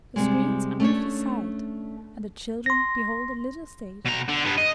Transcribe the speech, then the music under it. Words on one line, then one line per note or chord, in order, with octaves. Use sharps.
The screens are moved aside, and the children behold a little stage.
C3 G3 G#3
A3 C#4 D4 C#5
C6 A#6
B2 A#5
D3
G2 B3
D#5